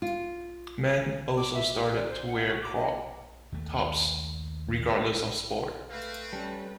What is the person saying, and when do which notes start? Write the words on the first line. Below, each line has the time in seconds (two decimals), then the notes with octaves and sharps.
Men also started to wear crop tops regardless of sport.
0.02 F4
1.37 D6
1.54 E5
1.74 G4
1.94 D5
2.09 C5
2.27 F#5
2.47 F#4
2.62 D6
2.75 D#5
3.52 D#2 A3
5.90 A3 C4 B4 F5
6.33 G3 C#4 A5